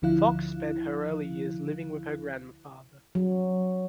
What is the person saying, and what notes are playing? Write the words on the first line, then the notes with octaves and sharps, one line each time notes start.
Fox spent her early years living with her grandfather.
D2 D3 F3 E4 F5 F#6
F#3